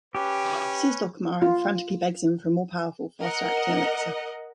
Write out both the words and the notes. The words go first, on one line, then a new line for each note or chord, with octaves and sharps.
He sees Dulcamara and frantically begs him for a more powerful, faster-acting elixir.
C#4 G4 B4
F4
A#4 D#5 F#5